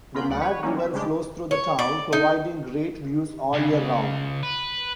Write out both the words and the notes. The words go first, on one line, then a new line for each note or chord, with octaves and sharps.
The Mad River flows through the town, providing great views all year round.
B3 C#4 F4 A#4 B5 G6
D2 F#3 D5 F#5
B4 C#5
F#3 G3 A#3 C#4 D#4 F#4
C4 E5
C#3 G3 G#3 D4 G4
C#5
D5
D#4
C#2
B4